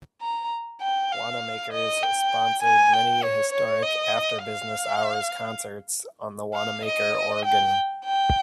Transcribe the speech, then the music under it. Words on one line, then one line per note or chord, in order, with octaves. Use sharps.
Wanamaker's sponsored many historic after-business-hours concerts on the Wanamaker Organ.
A#5
G5
F5
D#5
G5
G#5
G5
C#5
C#5
D#5
F5
F5
D#5
G5
G5